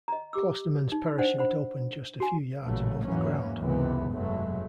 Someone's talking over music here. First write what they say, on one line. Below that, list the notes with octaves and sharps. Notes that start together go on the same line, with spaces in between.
Clostermann's parachute opened just a few yards above the ground.
D#5 A#5
G4 D6 E6
D#4
D4 C5 D5 F#5
C5 F#5 B5
F#4 G#5
A1 A#2 C#3 F#3 A3
E2 G#2 E3 F#3 A#3 C#4
C#2 F#2 C3 E3 G#3 B3
F1 G2 B2 F#3 G#3 A3